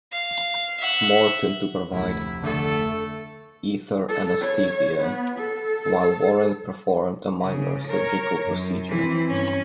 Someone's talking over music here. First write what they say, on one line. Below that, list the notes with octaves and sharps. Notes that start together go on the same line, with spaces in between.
Morton to provide ether anesthesia while Warren performed a minor surgical procedure.
F5
E5 F#5
F1 D2 E4
D3 A3 A4
A4
C#5
B3
A4
C#3
A#4 C#5
F#2
E3 C4
G2 C#4